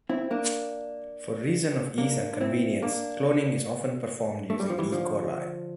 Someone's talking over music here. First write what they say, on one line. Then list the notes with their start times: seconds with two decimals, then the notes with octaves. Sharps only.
For reason of ease and convenience, cloning is often performed using "E. coli".
0.09 C4 E4
0.31 A#3 D4
1.98 A#3 D4
2.33 D4
2.41 C4 E4
2.82 A#3 D4
4.50 A3
4.60 G3
4.70 F3
4.78 E3 G3
4.92 D3 F3